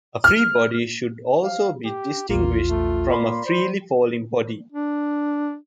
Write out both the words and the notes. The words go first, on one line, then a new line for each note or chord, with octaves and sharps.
A "free body" should also be distinguished from a "freely falling body".
F6
F5
G4
A#1 E2 A#3 F4
A3
A#3 D5 B5 C6
C5
D4